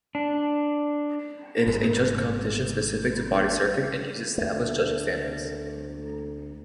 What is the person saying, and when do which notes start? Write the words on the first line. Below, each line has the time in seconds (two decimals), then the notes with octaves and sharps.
It is a judged competition specific to Bodysurfing and uses established judging standards.
0.15 D4
1.67 G#1 G#2 G#3
4.38 D2 A3